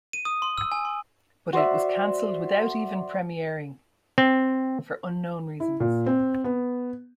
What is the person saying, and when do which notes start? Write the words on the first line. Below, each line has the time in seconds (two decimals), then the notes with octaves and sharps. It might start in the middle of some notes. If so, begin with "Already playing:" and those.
But it was canceled without even premiering, for unknown reasons.
0.13 D#7
0.25 D#6
0.42 C6
0.58 E6
0.72 G#5
0.85 C6
1.53 F#4 C5 D5 E5
4.18 C4
5.60 E4
5.80 A#2
6.06 C4
6.44 B3